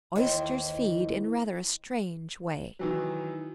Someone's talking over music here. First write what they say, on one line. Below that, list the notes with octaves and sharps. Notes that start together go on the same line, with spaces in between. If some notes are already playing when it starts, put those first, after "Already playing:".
Oysters feed in rather a strange way.
D#2 D#3 E3 E4 C5
D#3 E3 F#3